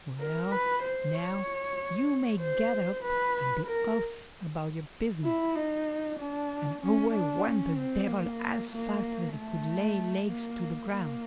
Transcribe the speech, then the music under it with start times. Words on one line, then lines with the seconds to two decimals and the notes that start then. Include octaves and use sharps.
'Well now, you may get up and be off about your business', and away went the Devil as fast as he could lay legs to the ground.
0.19 A#4
0.51 B4
0.83 C5
1.14 C#5
2.40 C5
3.03 B4
3.66 A#4
5.24 E4
5.55 D#4
6.18 D4
6.81 C#4
7.13 D4
7.44 C#4
7.76 C4
8.07 A#3
8.71 A#3
9.34 A3
10.28 A#3
10.91 A#3